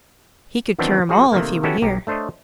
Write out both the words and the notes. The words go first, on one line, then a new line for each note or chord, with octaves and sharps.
"He could cure 'em all if he were here."
D#3 E3 F#3 B3 C4 D4
F3 F#4 G#4
C3 D#3 A3 A#3
B3 C#4 E4 F#4 G4 A4
B1 G4 A#5
A3 D4 C5 C#5 D#5